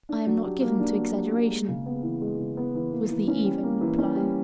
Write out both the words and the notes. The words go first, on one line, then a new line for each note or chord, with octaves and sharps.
"I am not given to exaggeration," was the even reply.
D4
F#3
G4
A#3
D4
F#3
G4
A#3
G#3
C#3
B3
E3
G#3
C#3
B3
E3
A#3
E3
C#4
G3
A#3
E3
C#4
G3